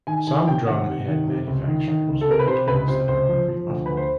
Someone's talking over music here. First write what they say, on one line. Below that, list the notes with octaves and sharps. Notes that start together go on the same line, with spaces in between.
Some drumhead manufacturers make heads that are pre-muffled.
D#3 G#5
D#3 G#5
C3 G5
D#3 F#5
C3
D#3
C3
C#2
D#3
D#3
C#2
A4
C3 A#4
B4
C3 C5
C#2 B4
C3 C5
C#2 C5
F3
F3
D2
D2 B4
C5